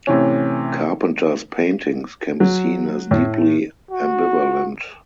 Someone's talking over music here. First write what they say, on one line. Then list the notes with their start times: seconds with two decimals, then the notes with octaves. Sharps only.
Carpenter's paintings can be seen as deeply ambivalent.
0.07 A2 C3 E3 C#4
2.40 F#3
3.11 A2
3.91 F#4